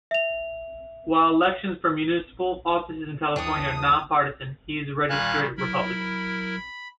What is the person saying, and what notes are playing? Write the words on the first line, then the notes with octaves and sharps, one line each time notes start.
While elections for municipal offices in California are non-partisan, he is a registered Republican.
E5 F7
G1 D#2 E3 D4 C#5 G5 D#6
A#2 D#3 G3 F5 G#5 F#6
F#3 E4 A#4 B5